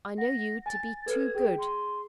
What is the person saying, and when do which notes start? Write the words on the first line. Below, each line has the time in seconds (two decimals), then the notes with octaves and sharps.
I know you to be too good.
0.18 F#5 A#6
0.66 G#5 A6
1.06 A4 B4 G#6
1.35 G#4 G5
1.58 C6